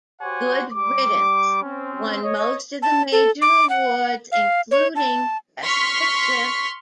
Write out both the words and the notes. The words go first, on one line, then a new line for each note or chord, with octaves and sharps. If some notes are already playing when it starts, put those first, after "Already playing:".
"Good Riddance" won most of the major awards, including Best Picture.
F#4 G4 C5 C#5 F#5 G#5
G3 D6
C4 C#4
C#5 D#5
A5
A4
D6
F#5
F5
C#5
A5
C6 C#6 F6 B6